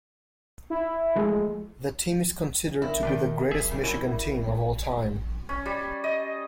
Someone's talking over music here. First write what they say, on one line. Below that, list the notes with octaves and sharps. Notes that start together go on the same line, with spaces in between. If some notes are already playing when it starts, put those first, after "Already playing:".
The team is considered to be the greatest Michigan team of all time.
E4
F3 G#3 A3
G1 E4 A#4
D#3 A3 D4 B4 G5
D1 G#4 E5
C#3 G3
F#2 E4 A#4
C#4
G3
D#5